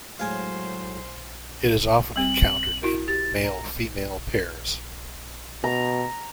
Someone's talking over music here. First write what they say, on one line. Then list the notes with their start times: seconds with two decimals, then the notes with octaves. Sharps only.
It is often encountered in male-female pairs.
0.19 A2 F#3 G#3 C5 F5 G#5 A5
2.16 G3 C4 F#7
2.82 E4 F#4 A#4
3.08 G4 A6
3.44 A#5
5.64 B2 A#5